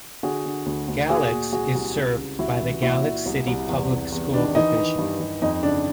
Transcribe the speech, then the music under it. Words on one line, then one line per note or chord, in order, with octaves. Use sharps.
Galax is served by the Galax City Public School Division.
D3 F#4 G#4
D3
D2
D2
A#2 F#4 G#4
A#2
C2 F#4 G#4
C2
C#2
C#3
C#2 E4 F#4
E3
A#2 E4 F#4
A#2
C2
C2
E2
C3
E2
D#3 D4
E3 D#4
E3
G2
G2
F2 D#4
C#3 D4